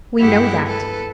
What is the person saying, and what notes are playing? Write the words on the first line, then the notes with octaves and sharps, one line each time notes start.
We know that.
G2 E4 G4 G#4 F#5 G5
A4 B4